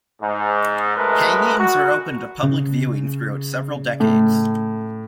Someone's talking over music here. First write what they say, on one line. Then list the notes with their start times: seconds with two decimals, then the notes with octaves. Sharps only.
Hangings were open to public viewing throughout several decades.
0.21 G#2
0.97 F#2 G#3 A3 A#4 B4
1.59 F#4
2.43 C#3
4.00 A2